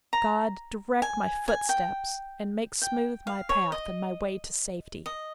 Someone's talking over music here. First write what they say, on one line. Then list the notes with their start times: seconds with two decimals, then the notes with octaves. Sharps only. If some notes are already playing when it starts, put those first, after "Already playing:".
God direct my footsteps, and make smooth my path and my way to safety!
0.13 A#5
1.02 G#5
1.48 G#5
1.69 G5
2.82 G5
3.27 F5
3.49 C#5
3.72 D#5
5.06 D#5